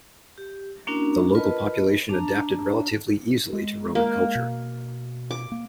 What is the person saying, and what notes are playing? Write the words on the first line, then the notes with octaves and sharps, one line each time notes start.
The local population adapted relatively easily to Roman culture.
G4
A#3 C#4 D4 E4 F#4 A#4
F4 A#4 B4 D#5 A5 B5
D4 A5 A#5
G#3
A#3
B2
D6
A#3